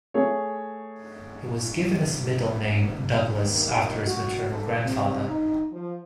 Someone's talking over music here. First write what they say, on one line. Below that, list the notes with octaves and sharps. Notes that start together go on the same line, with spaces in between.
He was given his middle name "Douglas" after his maternal grandfather.
A3 G#4 C#5
D#2
F#4
A4
C3
D#4
F3